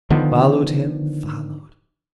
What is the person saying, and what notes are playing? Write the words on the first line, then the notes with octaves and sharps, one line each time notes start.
Followed him, followed.
D3 D#3 F3 B3